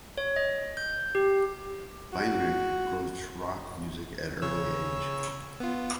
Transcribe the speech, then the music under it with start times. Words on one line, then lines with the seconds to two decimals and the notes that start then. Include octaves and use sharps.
Weinrich approached rock music at early age.
0.18 C#5
0.36 D#5
0.77 G6
1.15 G4
2.13 F#4
4.42 C#3 C#5 E6
5.60 B3 F4